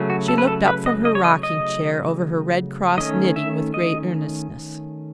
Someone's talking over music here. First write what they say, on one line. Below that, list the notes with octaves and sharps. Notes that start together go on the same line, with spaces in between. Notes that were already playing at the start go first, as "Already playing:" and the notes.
She looked up from her rocking-chair over her Red Cross knitting with great earnestness.
Already playing: C#3 F#3 A3 C#4
F#4
A4
B4
A4
B4
D#5
D#5
C#5
D#5
D#5
D#3 A3 C#4 D#5
E5
D#5